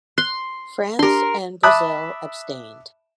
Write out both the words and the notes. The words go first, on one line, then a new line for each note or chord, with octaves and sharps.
France and Brazil abstained.
C6 F#6
D4 G4 A#4 C6
E5 A5 B5 D6 D#6 F#6